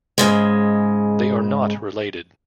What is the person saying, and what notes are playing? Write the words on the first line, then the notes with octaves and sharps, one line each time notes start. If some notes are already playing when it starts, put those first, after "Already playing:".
They are not related.
G#2 C#3 G#3